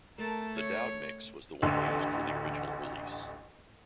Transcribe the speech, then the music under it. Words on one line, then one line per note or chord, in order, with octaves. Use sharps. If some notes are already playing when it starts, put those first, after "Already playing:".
The Dowd mix was the one used for the original release.
A3 A#4 A5
C#5
A1 D2 D3 A4 C6